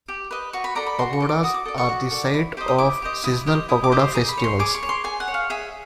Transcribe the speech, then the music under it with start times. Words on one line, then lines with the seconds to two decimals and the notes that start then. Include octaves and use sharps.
Pagodas are the site of seasonal pagoda festivals.
0.08 G4
0.31 B4 D#5
0.53 F#4 C#6
0.64 B5
0.75 A4 D5 A#5
0.87 B5
0.99 F#4 C6
1.13 C#6
1.20 A4 D5
1.29 D6
1.43 F#4 D#6
1.54 D6
1.65 A4 D5
1.78 C#6
1.89 F#4
2.11 A4 D5
2.34 E4
2.57 G4 C5 D#5
2.68 D#6
2.78 E4 D6
3.02 G4 C5 D#5
3.24 E4 D#6
3.46 G4 C5 D#5
3.69 E4 D#6
3.84 D6
3.91 G4 C5 D#5
3.99 C6
4.15 G#4 A#5
4.29 B5
4.37 C#5
4.44 C6
4.59 G#4 D6
4.74 C#6
4.83 C#5
4.89 C6
5.04 G#4 G#5
5.20 F#5
5.28 C#5
5.34 F5
5.50 G#4 E5